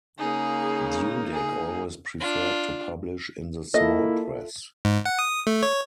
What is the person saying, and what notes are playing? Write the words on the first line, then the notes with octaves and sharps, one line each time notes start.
Dudek always preferred to publish in the small press.
C#3 A#3 D#4 G#4
G#4
D4 F4
A#3 E4 F4 A4 D#5 E5
G#2
F#5
D#6
A3
C#5